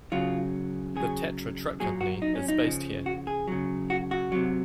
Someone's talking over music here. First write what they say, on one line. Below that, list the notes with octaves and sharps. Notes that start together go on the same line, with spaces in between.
The Tatra truck company is based here.
C#3 F#3 F4
C#3 F#3 G#4
A#2 F#3 G#4
F#4
D#4
C#4
D#4
C#3 F3
F#4
G#4
C#3 F#3
F#4
F#4
C3 F#3